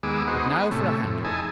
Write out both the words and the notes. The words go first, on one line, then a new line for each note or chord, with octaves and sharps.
"But now for a handle."
D#2 G#3 B3 G#4 D6 E6
B3 D#4 F#4 G#4 C5
B3
A2 C3 A3 C#4
F2 A2
D#4 E4 G#4 G#5 A5